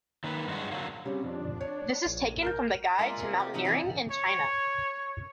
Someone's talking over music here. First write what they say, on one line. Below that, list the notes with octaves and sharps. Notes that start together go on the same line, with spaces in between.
This is taken from the Guide to Mountaineering in China.
D#3 A#3 B4
G2 F#3 G#3 F#4
D3 F#3 A#3
C#3 G3 C4 C#4
F2 D4
C#5
A#1
A#4 F6 G6
G#3 A#3 F4 D5 E5
C3 A#4 C6
G4
C3 F3 D#4 G4
E3 D5 A#5
C#5